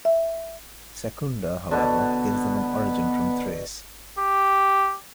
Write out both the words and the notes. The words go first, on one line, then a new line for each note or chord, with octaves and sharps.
Sekunda, however, gives them an origin from Thrace.
E5
B2 D3 B3
G4